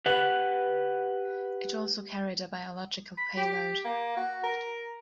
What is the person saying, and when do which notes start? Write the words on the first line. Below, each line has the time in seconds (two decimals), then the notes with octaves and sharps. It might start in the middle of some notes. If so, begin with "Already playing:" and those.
It also carried a biological payload.
0.06 G4 B4 F#5
3.17 B5
3.37 G4
3.85 A#3
4.16 F#4
4.43 A#4